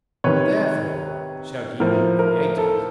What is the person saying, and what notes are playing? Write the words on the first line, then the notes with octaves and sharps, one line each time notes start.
Therefore shall ye be creators!
C3 D#3 B4 C#5
A2 F3 A#4
A#4
A4